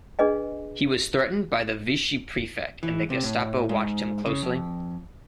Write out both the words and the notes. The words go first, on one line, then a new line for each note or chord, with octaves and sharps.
He was threatened by the Vichy Prefect, and the Gestapo watched him closely.
D4 G#4 B4 D#5 G#5
E3
C3
A2
G#2
C#3
F2